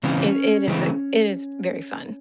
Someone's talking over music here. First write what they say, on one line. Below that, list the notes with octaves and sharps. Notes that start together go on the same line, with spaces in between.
i it it is it is very fun.
C#3 E3 G#3 C4 C#4
C#3 E3 G#3 C4